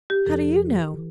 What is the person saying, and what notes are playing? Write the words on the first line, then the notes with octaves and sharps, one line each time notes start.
"How do you know?"
G4
F1 F2 C3 F3 A4
E3